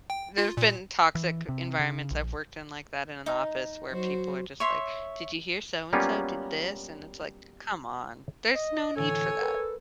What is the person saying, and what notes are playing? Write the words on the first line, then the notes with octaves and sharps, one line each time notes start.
there've been toxic environments I've worked in like that, in an office, where people are just like, "Did you hear so-and-so did this?" And it's like, "Come on, there's no need for that,
G5
F4
A#2
E3
C3
C#3
A#1
D#4
F#3 F#4 C5
C#5 E5 C6
F#3 G3 A#3 B3 C#4 F4
D#5
A2 D3 E3 A4 C#5 G#5
A#4 B4